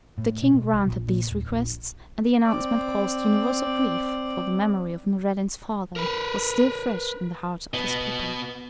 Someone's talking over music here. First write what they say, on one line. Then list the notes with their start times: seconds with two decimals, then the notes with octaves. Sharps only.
The king granted these requests, and the announcement caused universal grief, for the memory of Noureddin's father was still fresh in the hearts of his people.
0.18 A2
0.42 B2
0.73 B1
0.86 A#1
1.08 A#2
1.30 D#1
1.50 A#1
2.45 C4 D5
5.96 A#4 B4
7.74 B2 B3